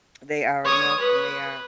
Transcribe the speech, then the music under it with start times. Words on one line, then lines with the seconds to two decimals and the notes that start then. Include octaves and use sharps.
they are enough and they are
0.65 C#5 D#6
1.00 B4